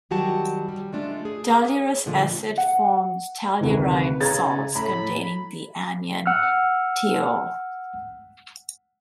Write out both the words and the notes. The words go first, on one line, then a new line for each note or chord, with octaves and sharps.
Tellurous acid forms "tellurite" salts containing the anion TeO.
D#3 F#3 G3 F#4 G4 A5
G3
G#3 A3 D4 F4
G#4
A#2 D3 F3 G#3 A3 F4
F#5
D2 C3 D#3 B4
C#3 A#5 G#6 A6
A2 A#5 B5
F#5 E6 F6